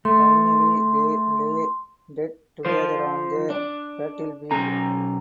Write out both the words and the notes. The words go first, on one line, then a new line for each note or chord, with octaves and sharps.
Finally they lay dead together on the battlefield.
A3 C6
F3 C5
D4
B1 C#4 A#5